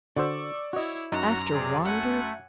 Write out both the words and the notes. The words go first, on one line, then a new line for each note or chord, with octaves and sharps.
After Wander?
D3 F#4 C5 D5 C#6 D6 E6
E4 F#4 C#5 D#5
F#2 D#4 F#4 A#5
C3 G#4 D5
A3 F#5 G#5